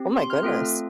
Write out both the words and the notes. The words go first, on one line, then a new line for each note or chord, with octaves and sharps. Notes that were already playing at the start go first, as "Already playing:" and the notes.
Oh, my goodness.
Already playing: C4 G4
C6
F6
A3 C4 F4 A4